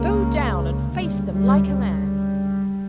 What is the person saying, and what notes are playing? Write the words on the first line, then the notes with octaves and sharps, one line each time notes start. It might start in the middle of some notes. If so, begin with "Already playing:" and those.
Go down and face them like a man.
Already playing: C#2 C#3 A#3
D2 C#3 G3
G3
G3